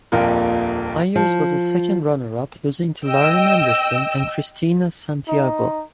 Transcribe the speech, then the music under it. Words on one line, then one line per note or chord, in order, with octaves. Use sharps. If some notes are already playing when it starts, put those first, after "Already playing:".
Meiers was a second runner-up, losing to Lauren Anderson and Christina Santiago.
D#1 A#1 F2 F4 A#4
F3
D#5 G5 E6
D#4